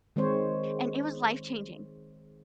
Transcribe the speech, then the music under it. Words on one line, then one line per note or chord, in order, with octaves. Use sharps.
and it was life-changing.
D#3 G#3 C4 C5 C#5